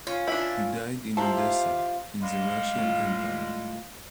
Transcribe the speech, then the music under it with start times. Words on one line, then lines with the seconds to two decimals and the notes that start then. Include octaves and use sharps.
He died in Odessa in the Russian Empire.
0.07 C#4 F4
0.28 D4 E4
1.17 E4 F4 G4 C5 F5 A5 A#5
2.22 G3 G#3 F5
2.79 A2 F4